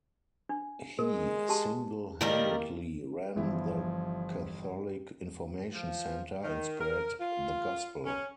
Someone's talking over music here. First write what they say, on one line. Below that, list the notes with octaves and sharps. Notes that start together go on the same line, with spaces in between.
He singlehandedly ran the Catholic Information Centre and spread the Gospel.
D4
G#3 A#4
G4 A5 C6
D#3 G3 A#3 E4 A#4
G1 E3 F3 E4
F3
D#3
A#4
F4
C#4